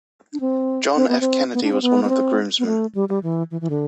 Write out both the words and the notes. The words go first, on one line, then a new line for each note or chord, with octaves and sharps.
John F. Kennedy was one of the groomsmen.
D4
C4
C4
B3
C4
B3
D4
C4
B3
B3
C4
B3
A3
G3
G3
E3
E3
E3
D3